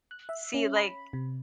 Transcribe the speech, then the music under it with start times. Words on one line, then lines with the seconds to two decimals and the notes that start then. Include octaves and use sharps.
see, like
0.11 F#6
0.29 E5
0.54 C#4
0.76 B5
1.13 C3